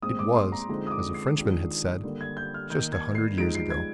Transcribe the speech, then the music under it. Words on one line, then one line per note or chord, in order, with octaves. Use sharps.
It was, as a Frenchman had said, just a hundred years ago.
A#2 G#3 C4 D#6
D6
C6
A#5
D3 F3 G#3 C4 D#4 A#5
D#6
D6
C7
D#3 G#3 D4 F4
D3 G3 A#3
G#6
G6
F6
D#3 A#3 D#4 G6
G#6
C7
F3 G#3 D#4 D7
C7
G#6